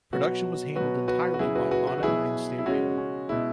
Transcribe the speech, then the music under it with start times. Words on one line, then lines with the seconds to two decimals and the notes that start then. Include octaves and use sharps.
Production was handled entirely by Mono En Stereo.
0.13 B2 F#3 F#4 B4
0.76 B2 F#3 F#4 B4
1.08 F#4 B4
1.34 F#4
1.39 C#3 F#3 E4 G#4
1.55 F#4 B4
1.71 F#4 B4
1.87 F#4 B4
1.98 F#4
2.03 B2 F#3 E4 G#4
2.59 E4
2.66 C#3 G#3 C#4 F#4
2.98 C#4
3.29 B2 G#3 E4